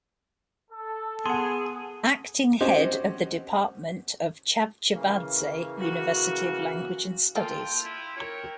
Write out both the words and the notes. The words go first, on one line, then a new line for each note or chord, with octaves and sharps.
Acting Head of the Department of Chavchavadze University of Language and Studies.
A4
B3 G#4 F#5 C6
C4 C#4 F#4 G4 C5 D#5
C#3 E3 A#3
F#4
A#3 F4 A4 G5
E4
A#4 C#5